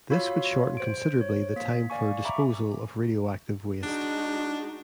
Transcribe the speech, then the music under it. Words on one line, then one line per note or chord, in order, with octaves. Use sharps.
This would shorten considerably the time for disposal of radioactive waste.
F4 F#4 C#5 F5 B5 E6
C5 D7
C#5
A#3 B6
D5 F5 G#5 C#6
E5 A#5 B5 C#6 D6
G#3 D4 D#4 F#4